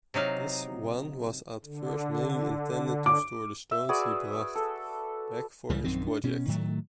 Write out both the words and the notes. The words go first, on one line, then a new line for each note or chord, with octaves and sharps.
This one was at first mainly intended to store the stones he brought back for his project.
C3 F#3 D#4 F5
D3
D6
E5
F#4 G#4 B4 D5
A4
C#2 C#3 E3 G3
A#1 F#2 D#3 C4
D4
B2 C#4
A2 D#3 F#3 A3